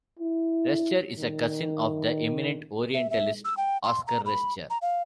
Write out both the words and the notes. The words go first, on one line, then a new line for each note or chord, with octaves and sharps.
Rescher is a cousin of the eminent orientalist Oskar Rescher.
E4
D#3
E5
E5
E6
G5
C6
A#5
B5
A#5
F5